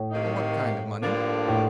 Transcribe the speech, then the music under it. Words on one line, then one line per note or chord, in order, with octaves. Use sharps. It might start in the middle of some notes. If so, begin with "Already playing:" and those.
"What kind of money?"
Already playing: A2
C3 D#3 A#3 D#4
G2 D3 F3 A#3 D4
A2